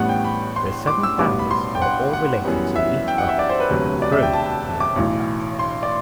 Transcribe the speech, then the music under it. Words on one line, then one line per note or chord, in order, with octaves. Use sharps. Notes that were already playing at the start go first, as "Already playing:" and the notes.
The seven families were all related to each other through the Agnew line.
Already playing: A1 A2 G3 B3 F#5
G5
B5
C6
D6
E6
B1 A2 G3 B3 D6
B5
C6
G5
F#5
F#5
F#2 E3 G3 B3
E5
G5
F#5
E5
D5
C5
B4
E1 D2 C3 F#3
D5
E5
G5
A5
D6
B1 A2 E3
C6
D5